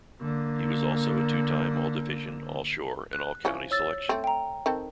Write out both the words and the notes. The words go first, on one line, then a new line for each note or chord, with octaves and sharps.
He was also a two-time All-Division, All-Shore and All-County selection.
D3 A#3
F#6
E3 F3 C#4
C#5 E6 A6
A3 C4
G5 A#5
D#3 C4 A4